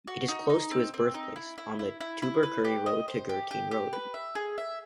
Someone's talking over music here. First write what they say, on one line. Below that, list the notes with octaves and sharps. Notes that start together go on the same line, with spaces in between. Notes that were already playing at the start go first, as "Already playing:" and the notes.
It is close to his birthplace, on the Tubbercurry to Gurteen road.
F#4
D#4
D#4
C4
C4
D#4
E4
E4
E4
E4
E4
B4
G4
D#5
C5
G4
G4
G4
B4
E5
G#4
E5